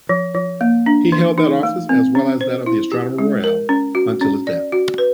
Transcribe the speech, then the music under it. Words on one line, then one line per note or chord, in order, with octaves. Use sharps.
He held that office, as well as that of Astronomer Royal, until his death.
F3
F3
A#3
D4
E3
D#4
A3
C4
C#4
C5
E4
G4
G#3
A#4
C#4
F#4
C#4
D5
F#4
B4